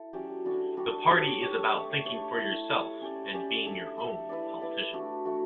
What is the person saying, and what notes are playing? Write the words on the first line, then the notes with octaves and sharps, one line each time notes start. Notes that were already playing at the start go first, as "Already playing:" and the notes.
The party is about "thinking for yourself" and "being your own politician".
Already playing: E4 A4
F#3 C#4 G4 D5
G3 D4 F#4 A4
G3 D4 F#4 A4
D4 G4 C#5
D4 G4 C#5
A3 D4 G4 C#5
A3 D4 G4 C#5
E4 A4 C#5
E4 A4 C#5
C#4 G4 D5
C#4 G4 D5
D4 A4 E5
D4 A4 E5
E4 B4 D5
E4 B4 D5
A3 D4 F#4
A3 D4 F#4